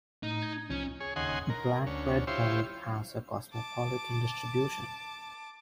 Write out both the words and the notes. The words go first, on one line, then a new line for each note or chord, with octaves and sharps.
Black bread mold has a cosmopolitan distribution.
A2 D#4
G#6
C2 F3 C#4
G#4 C#5
D#2 C#3 D#5 F#5 G#5 C6
A#4
D2 C#4
E4 F4 G4 C5 C#5
A5 D6